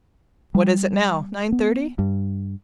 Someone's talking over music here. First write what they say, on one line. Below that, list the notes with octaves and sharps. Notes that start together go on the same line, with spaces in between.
What is it now--nine thirty?
G3
B3
G2